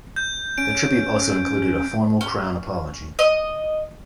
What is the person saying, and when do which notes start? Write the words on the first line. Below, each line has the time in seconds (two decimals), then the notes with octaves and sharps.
The Tribute also included a formal Crown Apology.
0.16 G6
0.58 C#4 D7
2.21 C#4
3.19 D#5